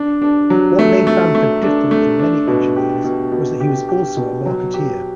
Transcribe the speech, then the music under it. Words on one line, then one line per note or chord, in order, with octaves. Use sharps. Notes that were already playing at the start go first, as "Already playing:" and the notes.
What made Bamford different from many engineers was that he was also a marketeer.
Already playing: D4
D4
F#3
A3
A3
A3
D4
A3
D4
B2
G4
B2
B2
G4
G4
B2
F#3
G4